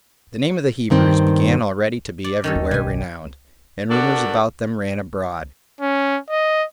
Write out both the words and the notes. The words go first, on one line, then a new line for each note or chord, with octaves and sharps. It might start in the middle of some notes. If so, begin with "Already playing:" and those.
The name of the Hebrews began already to be every where renowned, and rumors about them ran abroad.
G2 D#3 C4
D5
D#3 C#4 A4
D#2
D1 B1 G3 G#5
B3 D4 F#4 G4 A4 A#4
C#4
D#5